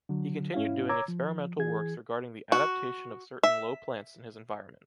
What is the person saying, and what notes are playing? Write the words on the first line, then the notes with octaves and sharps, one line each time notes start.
He continued doing experimental works regarding the adaptation of certain low plants in his environment.
D3 F#3
G#2 C#4 E4 F5
C#5 A#5 D6 E6 G#6
F3
E3 G#4 G#6
F#4
E5